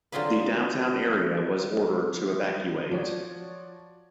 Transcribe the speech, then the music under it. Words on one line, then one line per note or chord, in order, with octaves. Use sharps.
The downtown area was ordered to evacuate.
D3 F#3 C4 F4 G#4 B4
F3 F#4 C#5 D5